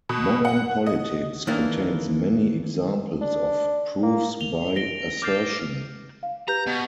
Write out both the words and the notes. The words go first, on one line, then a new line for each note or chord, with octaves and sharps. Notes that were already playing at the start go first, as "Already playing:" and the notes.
Modern politics contains many examples of proofs by assertion.
B2
F#5
D#5
D#3 E3 A#3 D4
D4
A#3
F7 G7
A#6 D7 G7
D6 F6 G6 A6 C7
F5
G4 B4 A#5 G6
B2